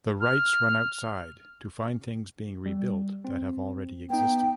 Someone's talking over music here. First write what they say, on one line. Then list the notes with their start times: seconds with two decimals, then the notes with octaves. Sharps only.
The Wrights run outside to find things being rebuilt that have already existed.
0.21 F6
2.66 G3
3.25 C4
4.10 B3 D#4 G5